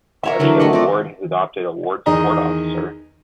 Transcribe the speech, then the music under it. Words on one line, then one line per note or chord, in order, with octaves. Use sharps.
Hodge Hill Ward has adopted a Ward Support Officer.
A#4 C#5 E5
D3 E3 F#3 D4
A3 D#5 F#5
C4 D5
E2 D#3 G#4 D#5 A#5 D#6